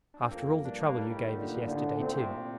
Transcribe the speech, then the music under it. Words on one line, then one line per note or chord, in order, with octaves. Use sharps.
After all the trouble you gave us yesterday too!
D4
C4
F2 A#3
G2 D4
A#3
A2 G3
D#3
A#2 D3
G2
A2 D3
A#2
C3 C4
C3